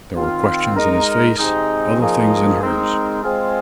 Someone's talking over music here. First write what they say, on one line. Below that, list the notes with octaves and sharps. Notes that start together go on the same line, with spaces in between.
There were questions in his face--other things in hers.
D#3 C4 F4
G#3 D#4 A#4
C3 G#3 C4 D#4
F3 A#3 D#4 G#4
G#3 C4 D#4 A#4
G#3 C4 F4 G#4